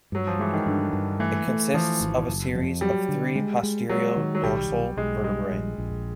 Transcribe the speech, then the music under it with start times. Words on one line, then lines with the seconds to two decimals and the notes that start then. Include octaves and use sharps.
It consists of a series of three posterior dorsal vertebrae.
0.12 G2 F#3
0.27 F3
0.39 E3 G#3
0.53 D#3
0.66 G2 D3
0.93 G2
1.20 E3 A3
1.48 A3
1.74 E3 F3
2.01 G#1
2.28 F#1
2.55 F2
2.81 F#3 G3
3.09 D3
3.35 G#3
3.63 G#3
3.90 F#3 G#3
4.16 D#3
4.35 F#3
4.44 B1 G3
4.70 B1
4.97 B1 G#3
5.24 G3 G#3
5.51 A#1
5.78 A#1